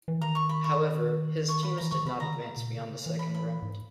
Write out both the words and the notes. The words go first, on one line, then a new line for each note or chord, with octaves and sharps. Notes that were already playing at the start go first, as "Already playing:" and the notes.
However, his teams did not advance beyond the second round.
E3
D#3 A#5
C#6
B5
C#6
C#6
B5
E3 A#5
D#3 C#6
C#3 B5
D#3 A#5
C#3
A#2
C#3
E3
B5
B5
G#2